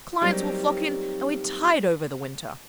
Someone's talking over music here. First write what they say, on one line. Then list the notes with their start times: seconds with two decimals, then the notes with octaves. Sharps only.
Clients will flock in; and we tide over the winter.
0.21 F#3 G3 A#3 C4 D#4 G4